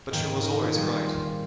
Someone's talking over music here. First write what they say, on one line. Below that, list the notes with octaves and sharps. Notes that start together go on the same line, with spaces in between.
But she was always right.
G#2 D#3 A#3 G5
A#4
A#2 G3 C4 G#4
F4